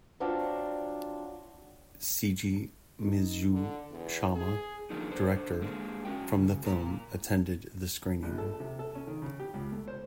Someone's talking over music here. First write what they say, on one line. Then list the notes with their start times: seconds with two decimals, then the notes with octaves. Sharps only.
Seiji Mizushima, director from the film, attended the screening.
0.20 F#3 C4 D4 F4 F#4
3.01 D#4
3.52 D3
3.91 E2
4.36 G#4
4.90 D3 F3 F#3 A#3 D4 D#4
5.08 D3 C5
5.61 G#3 A#3 D4 G#4
6.05 C#4 F#4 G5
6.36 C#3
6.63 A#2 C5 A#5
8.23 A#1
8.38 A4
8.60 C3
8.79 A4
8.95 C#4
9.07 D#3
9.22 C#3
9.40 G4
9.54 C#2
9.72 A3
9.88 C5